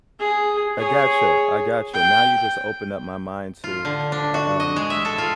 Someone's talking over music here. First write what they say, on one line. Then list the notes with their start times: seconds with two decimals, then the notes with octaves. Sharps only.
I gotcha. I gotcha. Now you just opened up my mind to, u um
0.20 G#4
0.78 G#4 C#5
1.94 G5
3.64 F4
3.85 D3
4.12 D4
4.34 F#4
4.60 D#5
4.76 G#3
4.90 E5
5.05 A4
5.18 F4